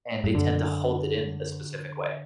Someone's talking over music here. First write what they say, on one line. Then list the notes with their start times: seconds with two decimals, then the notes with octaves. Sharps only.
and they tend to hold it in a specific way.
0.24 G2
0.35 F#2 D3